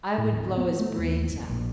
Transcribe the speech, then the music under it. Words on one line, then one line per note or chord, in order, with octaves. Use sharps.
'I would blow his brains out.'
A2
D1
B3
A3
D#2
F#1
A#1